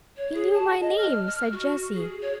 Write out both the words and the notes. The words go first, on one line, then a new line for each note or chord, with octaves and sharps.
"He knew my name," said Jessie.
C#5
G#4
A5
D#5
F6
F6
F#4
G#4
C#5